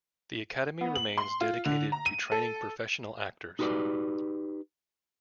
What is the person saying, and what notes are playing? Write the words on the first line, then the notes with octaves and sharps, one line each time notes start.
The Academy remains dedicated to training professional actors.
B3
F#7
C6
F4
D3
A#5
D#7
A4
D#4 F#4 G4 B4 D5